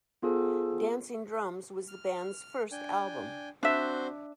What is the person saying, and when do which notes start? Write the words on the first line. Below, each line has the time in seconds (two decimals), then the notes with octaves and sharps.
Dancing Drums was the band's first album.
0.22 B3 F4 G#4 A4 C5
1.88 F6
2.72 D4 G5 G#5
3.63 C4 D4 F#4 C5 E5